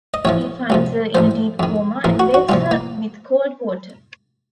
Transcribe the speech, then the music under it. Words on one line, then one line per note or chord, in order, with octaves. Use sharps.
He finds her in a deep coma and wakes her with cold water.
D#5
A1 A2 F3 C#5
C#2 C3 F3
A1 A2 F3 C5
F2 D#3
A1 A2 F3 A#4
F#4
F#4
C2 A#2 F3 F4
A#3